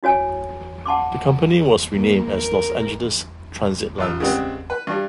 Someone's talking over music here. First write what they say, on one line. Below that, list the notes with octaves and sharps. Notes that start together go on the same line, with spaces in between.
The company was renamed as Los Angeles Transit Lines.
E4 F#4 C#5 G#5
F#5 A5 C6 D6
A#3
A#4
A1 F4 E6
C#3 G3 G#3 B3 C4
B4
G2 G3